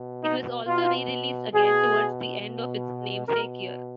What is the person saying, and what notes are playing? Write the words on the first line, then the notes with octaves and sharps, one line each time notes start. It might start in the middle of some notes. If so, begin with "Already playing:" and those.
It was also re-released again towards the end of its namesake year.
Already playing: B2
D#4
B2 F4
B2 G#4
B2
B2 A#4